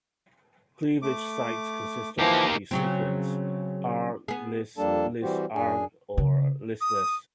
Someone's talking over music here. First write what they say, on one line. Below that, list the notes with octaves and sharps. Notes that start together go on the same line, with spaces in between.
Cleavage sites consist of the sequences Arg-Lys, Lys-Arg, or Lys-Lys.
A3 D6
E3 F3 A#3 G4
C#3 F#3 C4
B3 G#4
F2 G3 A#3 D4 A4 A5
E3 G3 C4 F#4 G4 C5
F#2 D4 G#4 G#5
C#3
D#6